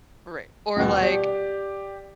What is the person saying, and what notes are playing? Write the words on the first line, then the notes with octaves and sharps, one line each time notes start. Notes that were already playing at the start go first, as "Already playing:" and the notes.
Right. Or, like,
D#1 B2
G4 D5